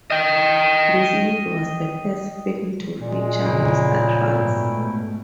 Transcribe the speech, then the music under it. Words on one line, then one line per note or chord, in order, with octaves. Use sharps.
This movie was the first film to feature monster trucks.
D#5 G5
A#2 G#3
F2 C#3 F#3 E4 G5
G#2 B2 A3